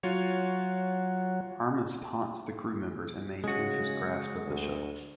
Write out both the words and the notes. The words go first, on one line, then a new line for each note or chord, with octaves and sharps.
Armus taunts the crew members and maintains his grasp of the shuttle.
F#3 F4 F#4 C#5
C#3 G#3 F#4
D2